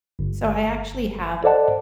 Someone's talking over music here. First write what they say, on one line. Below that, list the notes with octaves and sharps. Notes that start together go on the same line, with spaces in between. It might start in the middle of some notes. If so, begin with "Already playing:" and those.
So I actually have
G1
A4 C5 D5 D#5 F#5 A5